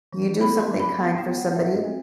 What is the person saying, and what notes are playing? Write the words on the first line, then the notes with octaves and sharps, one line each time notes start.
you do something kind for somebody
E3
B3 B5
C6
F#3
B5
B3 A5
G5
B3
F#5
F#3 E5
D#5
C4